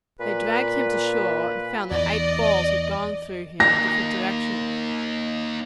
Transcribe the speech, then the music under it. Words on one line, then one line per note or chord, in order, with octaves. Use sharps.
They dragged him to shore, and found that eight balls had gone through him in different directions.
A#2 B4
E2 D5 D#5
A#3 D#4 A#6